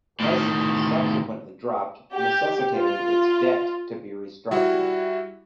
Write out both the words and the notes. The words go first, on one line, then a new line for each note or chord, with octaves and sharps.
Prices subsequently dropped, necessitating its debt to be restructured.
A2 D#3
G4
F4
G3 E4 F#4